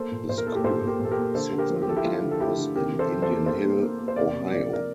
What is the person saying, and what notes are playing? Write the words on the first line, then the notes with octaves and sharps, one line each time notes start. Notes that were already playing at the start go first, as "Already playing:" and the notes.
The school sits on a campus in Indian Hill, Ohio.
Already playing: A#3 A4 C5
A#2
A#2 C5
A#4
A#3 A4
G4 A#4
A#2 A4 C5
A#2
G4 A#4
A#2 A4
G4 A#4
A#3
D3 A4 C5
D3
G4 A#4
F3
G4
F3 A4
E4 G4
F3 F4
D3
A4
A3 E4 G4
D3
C3 G4 A#4
E3
A4 C5
E3
A4 C5
A#3
A#3 A4 C5
A#3
A#3
A#3
C5
C3 A#4 D5
C3
F3 D5
C3 A#4 D5